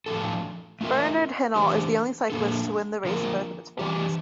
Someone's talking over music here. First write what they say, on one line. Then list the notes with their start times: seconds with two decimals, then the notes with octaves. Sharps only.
Bernard Hinault is the only cyclist to win the race in both its forms.
0.06 A2 F3 A3 D4 A4
0.81 A3 D4 F4 A#4 E5
1.56 E3 A3 D4 G4 C5
2.30 A#2 F3 A#3 D4 A4
3.05 D3 F3 A#3 F4 A#4
3.79 E3 G3 D4 G4